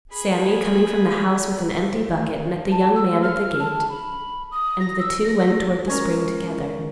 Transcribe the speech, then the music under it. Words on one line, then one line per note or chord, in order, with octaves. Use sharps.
Sammy coming from the house with an empty bucket met the young man at the gate, and the two went toward the spring together.
G#4 B5
A5
E6
F6
A5
B5
D#6
A#6
E6
A#6
G#3 C#4 A#4